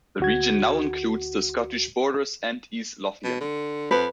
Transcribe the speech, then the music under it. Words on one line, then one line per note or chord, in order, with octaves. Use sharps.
The region now includes the Scottish Borders and East Lothian.
D2 F#4 G#6
B2
D3
F2 B4